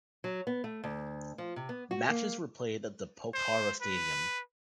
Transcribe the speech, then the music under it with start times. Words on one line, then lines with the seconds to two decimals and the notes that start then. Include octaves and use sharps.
Matches were played at the Pokhara Stadium.
0.24 F#3
0.47 B3
0.64 A3
0.84 D2
1.38 F3
1.56 C3
1.69 B3
1.91 F#4
2.09 A#3
3.34 C5
3.81 B4